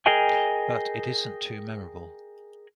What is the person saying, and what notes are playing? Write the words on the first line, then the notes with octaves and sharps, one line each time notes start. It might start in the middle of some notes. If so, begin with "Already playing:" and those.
But it isn't too memorable.
G#4 A#4 D#5 G5 G#5